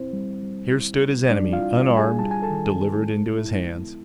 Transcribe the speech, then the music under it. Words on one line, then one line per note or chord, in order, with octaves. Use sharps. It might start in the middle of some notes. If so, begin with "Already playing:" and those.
Here stood his enemy, unarmed, delivered into his hands.
Already playing: C4 E4 C5
G3
G3
E4
C4
G3 D4 D5
F4 F5
E4
G3
G#4 G#5
G3 A5
G#5
A4 A5
D#3
C4
G#3
E4
B3